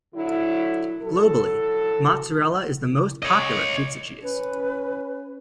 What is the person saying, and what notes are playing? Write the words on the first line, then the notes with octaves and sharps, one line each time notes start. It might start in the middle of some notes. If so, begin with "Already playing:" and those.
Globally, Mozzarella is the most popular pizza cheese.
D3 F#3 E4
F#3 E4 A4
C#5 D#5
C#4 B4